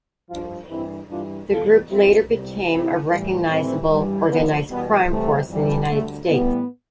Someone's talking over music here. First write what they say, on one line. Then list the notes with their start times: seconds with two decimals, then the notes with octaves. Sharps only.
The group later became a recognizable organized crime force in the United States.
0.30 G2 F3 D4 F4
0.69 G2 E3 G3 C4 E4
1.09 G2 E3 G3 D4 F4
1.49 E2 B2 G3 F4 A4
1.89 G2 F3 C4 E4
2.29 C2 C3 G3
2.69 C2 C3 E3 C4 E4
3.09 A2 E3 G3
3.49 A2 E3 G3 A3 C4
3.89 G2 E3 G3
4.29 D2 D3 F3 B3
4.69 E2 B2 G3 B3
5.08 C2 C3 E3 G3 A3
5.49 F2 E3 G3
5.88 D2 D3 G3 A3
6.28 A2 E3 G3 B3